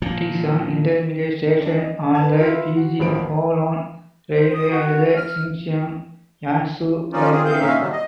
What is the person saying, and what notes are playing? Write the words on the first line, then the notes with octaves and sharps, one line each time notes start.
It is an intermediate station on the Beijing–Kowloon railway and the Xinxiang–Yanzhou railway.
A#2 F3
D4
D#5
B4 A5 G#6
E4 F4 B4
F#4
D#1 A1 E3 F3 B5 D7
C5
D#6
F#4
F6
F3 C#4 D#4 F4 D5
C4 F4 G#4
E3 C4 F5 G6
A#2 A#3 C#4 D#4 E5 F5
A2 C3 D#3 F#3 G3 A3
D#5